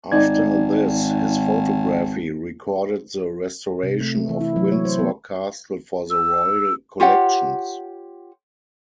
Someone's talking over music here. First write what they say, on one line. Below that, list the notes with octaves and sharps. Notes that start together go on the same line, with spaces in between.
After this, his photography recorded the restoration of Windsor Castle for the Royal Collections.
G#1 D#4 D5 G#6
C3
A3
A3
E3
E4
F#3
C#5
C5
B3
E6
F4 G4 C#5 F#5